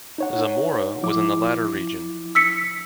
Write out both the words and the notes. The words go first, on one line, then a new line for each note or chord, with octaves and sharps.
Zamora was in the latter region.
D#4 C#5 F#5
F3 E4 D6
E6 B6 C#7